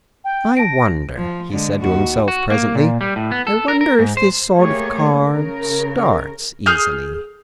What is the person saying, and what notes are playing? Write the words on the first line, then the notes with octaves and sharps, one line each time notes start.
'I wonder,' he said to himself presently, 'I wonder if this sort of car STARTS easily?'
G5
A5 A#6 D7
F3
D3 G#3
D#2 F#4
F#4
A#3
A#2
G3
A2
B3
A4
A#4
A#4
G#2
C5
A3 A#3 G4 G#4 C#5
C#3 A#4
G#4 F6 G6